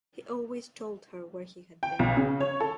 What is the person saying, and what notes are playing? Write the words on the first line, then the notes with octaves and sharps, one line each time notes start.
He always told her where he had been.
G5
B1
C#3
C#5
A4